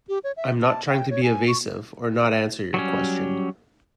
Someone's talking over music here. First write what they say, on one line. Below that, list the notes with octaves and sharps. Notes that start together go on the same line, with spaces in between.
I'm not trying to be evasive or not answer your question.
G4
C#5
E5
A5
G5
C#5
G#5
C#6
F#3 G3 C#4